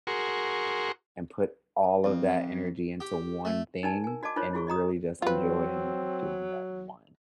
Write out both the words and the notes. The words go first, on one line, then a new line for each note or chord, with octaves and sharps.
and put all of that energy into one thing and really just enjoy and love doing that one
F#4 G#4 A#4 C6 C#6
F2
G4
A3
D#4 A#4 D5 G#5 A5
A#4 G#5
F#4 D5 D#5 A5 D6
D#4 F4 A#4 C5 C#5
E4 F#4 G#4 C#6
D5 D#5 A#5 D#6
F#3 C4 F4 B4